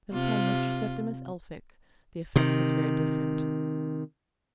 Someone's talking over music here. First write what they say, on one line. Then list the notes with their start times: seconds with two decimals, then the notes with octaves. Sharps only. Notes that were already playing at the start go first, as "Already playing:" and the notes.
But upon Mr. Septimus Elphick the effect was very different.
0.13 C3 F4
2.36 C3 D#3